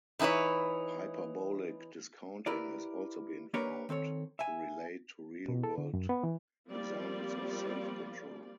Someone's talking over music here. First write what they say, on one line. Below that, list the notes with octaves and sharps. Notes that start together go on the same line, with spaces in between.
Hyperbolic discounting has also been found to relate to real-world examples of self-control.
E3 D#4 E4 B4 C#5
E4 G4 A#4 B4 D5
A#3 D4 G4 A#4 B4 C#5
D#3 C4 A4 C#5
E5 G#5
B2
A4
D3
F#2
B3
E3
F3 G3 A#3 C4 F4 D5